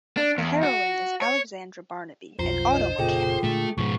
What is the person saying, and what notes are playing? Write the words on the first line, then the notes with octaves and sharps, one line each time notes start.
The heroine is Alexandra Barnaby, an auto mechanic.
D4
E2
F#4
C#5
B1 F2 F4 C5 A#5
D#5
F1 A#2 C#3 F4 G#4 A4 G5
A#2 D3 G#3 A3
C#2 G#2 B2 F3 C#6